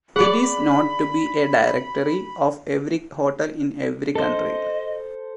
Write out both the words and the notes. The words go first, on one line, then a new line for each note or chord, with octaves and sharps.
It is not to be a directory of every hotel in every country.
G#4 D5 F#5 B5
A4 C5 D#5